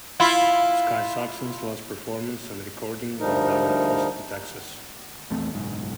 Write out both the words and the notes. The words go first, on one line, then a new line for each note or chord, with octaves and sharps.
Sky Saxon's last performance and recording was done in Austin, Texas.
E4 F4
D2 F3 G3 D#4 A#4
A#1 E2 A3 C4
F#1 B1 G#2